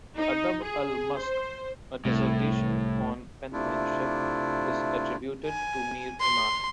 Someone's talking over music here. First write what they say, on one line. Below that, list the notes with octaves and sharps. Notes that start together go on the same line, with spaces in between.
"Adab al-Masq", a dissertation on penmanship, is attributed to Mir Emad.
D#4
G#4
C5
C2 A2
C3 A3 D4 E4 F4
G#5
C6